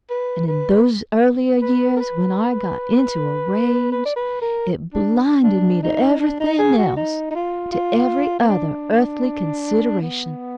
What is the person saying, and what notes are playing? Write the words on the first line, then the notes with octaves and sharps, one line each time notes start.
And in those earlier years, when I got into a rage, it blinded me to everything else, to every other earthly consideration.
B4
B4
B4
A#4
B4
B4
D5
B4
A#4
D4
D4
D#4
D4
D#4
G#4
F#4
D#4
D#4
F4
F4
B3
D4
B3